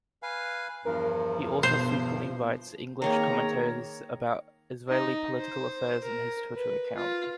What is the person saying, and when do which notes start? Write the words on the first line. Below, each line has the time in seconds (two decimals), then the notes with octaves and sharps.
He also frequently writes English commentaries about Israeli political affairs in his Twitter account.
0.23 B4 F5 G#5
0.85 E2 G2 F3 A#4
1.63 B2 C5
3.02 D#3 A#3 C4 G#4 A#4 C#5 A#5
4.88 D#4
5.38 C5
6.04 A#4
6.55 B4
6.96 F4